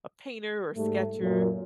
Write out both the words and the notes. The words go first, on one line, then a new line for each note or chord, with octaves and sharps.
a painter or sketcher,
G#2 G3 A3
F#2 A#2